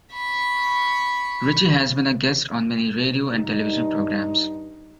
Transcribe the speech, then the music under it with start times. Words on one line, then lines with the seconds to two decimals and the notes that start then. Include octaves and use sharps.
Richie has been a guest on many radio and television programs.
0.12 B5 C#6
3.31 G2 D#4